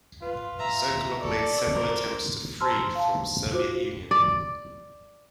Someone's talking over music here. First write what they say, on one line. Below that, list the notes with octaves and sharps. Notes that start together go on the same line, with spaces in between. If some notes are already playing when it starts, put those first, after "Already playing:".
Sokolov made several attempts to flee from Soviet Union.
F4 B4
E5 A#5
A4 D5 C#6
A#4 C5
C5 A5 A#5 C6 E6 F6
F5 A5
F4 F#4 C5 D6
D5